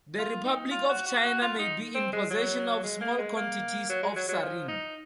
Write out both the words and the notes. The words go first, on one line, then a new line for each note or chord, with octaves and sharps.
The Republic of China may be in possession of small quantities of sarin.
F4
D#4
F4
F#4
F#4
F#4
F4
D#4
C4
G#3
F#3
G#3
A#3
G#3
A#3
F#3
G#3
F#3
F#3
F3
D#4